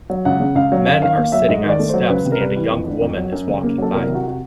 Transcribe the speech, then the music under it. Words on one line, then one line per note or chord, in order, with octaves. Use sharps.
Men are sitting on steps and a young woman is walking by.
F#3
C#2 F#5
C#3
C#2 F5
F#3
F#2 F5
D#3 F5
A#3 F5
F#3 E5
G#2 D#5
D#3
D5
A3
F#3 C5
C#2 B4
C3
A#4
G3 B4
E3
F2
D3
F2
F#3
F#2
C#3
A#3
F#3 A4
C2 A#4
C3
F#4
F#4